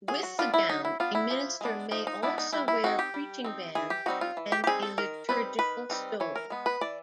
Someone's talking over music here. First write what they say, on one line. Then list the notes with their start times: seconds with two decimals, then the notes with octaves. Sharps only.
With the gown a minister may also wear preaching bands and a liturgical stole.
0.08 F#3 G#4
0.23 F#4
0.39 B3 D4 F4
0.54 E4
0.69 F#3 D#4
0.85 E4
1.00 B3 D4 F4
1.15 E4
1.30 F3
1.61 G#3 B3 D4
1.91 F3 D#4
2.07 D#4
2.23 G#3 B3 D4 E4
2.38 D#4
2.52 G3 E4
2.68 E4
2.84 C4 D#4 F#4
2.99 G4
3.14 G3
3.44 C4 D#4
3.75 E3 G#4
3.90 G4
4.06 G3 C4 D#4 F#4
4.21 F4
4.37 E3
4.52 G4
4.64 G4
4.67 G3 C4 D#4 G#4
4.82 A4
4.98 D#3 A#4
5.29 G3 C4 D#4 B4
5.59 D#3 B4
5.90 G3 C4 D#4
6.20 E3 C#5
6.36 A#4
6.50 G#3 B3
6.66 B4
6.81 E3 D5